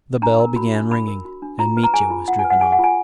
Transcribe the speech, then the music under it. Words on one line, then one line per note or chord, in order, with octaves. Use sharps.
The bell began ringing and Mitya was driven off.
D4 A#5
A#4
F#4 B5
D4
D4 B5
A#4
F#4
D4
F4 A#5
B4
A#5
G#4 G#5
F4
F4 F#5
G#5
B4
F#5
G#4 G#5
F#5
F4 G#5